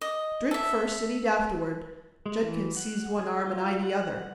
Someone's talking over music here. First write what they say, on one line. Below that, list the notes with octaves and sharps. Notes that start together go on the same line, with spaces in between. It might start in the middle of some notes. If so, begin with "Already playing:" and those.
"Drink first and eat afterward." Judkins seized one arm and I the other.
D#5
A4 E5
G#3
E3
F#5
G#4
F4
F#5